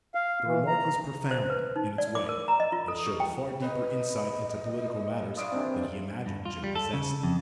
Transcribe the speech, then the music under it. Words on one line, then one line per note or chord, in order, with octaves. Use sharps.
The remark was profound in its way, and showed a far deeper insight into political matters than he imagined Joe possessed.
F5
E3
A#5
C5
B4
D#4
D5
D6
A#4
A#5
D#5
F4
A4
G4
G5
B4 D#5
E4 F4 D5 D#6 D7
C3 D#3 E3 C4 D4
G2
F4
G3
A4
C#3
F2